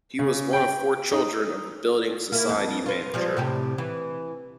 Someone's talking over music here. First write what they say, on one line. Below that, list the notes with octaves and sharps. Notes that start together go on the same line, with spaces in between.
He was one of four children of a building society manager.
C#3
G5
D#4
A#3 E4
F2
F4 B4
F3 G3 G#3
A2 C3 G4
E3